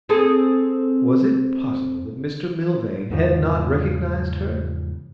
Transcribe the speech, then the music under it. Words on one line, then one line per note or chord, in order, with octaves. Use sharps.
Was it possible that Mr Milvain had not recognised her?
C4 G#4 A4
E2 G#2 C#3 F3